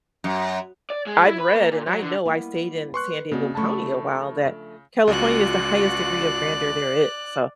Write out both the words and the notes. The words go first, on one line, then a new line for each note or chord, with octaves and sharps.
I've read, and I know I stayed in San Diego County a while, that California is the highest degree of grandeur there is. So
F#2
D5
G#3
E4
B4
A#3
A#2
F#3
D3
G3 A#3 B3 E4
B4 C6 C#6 F#6
C#3 A#3 C4 D4 F#4 D#5
F3 A3 D4 A5 B5 C#6
C#2 F4 F#4 D5 F#6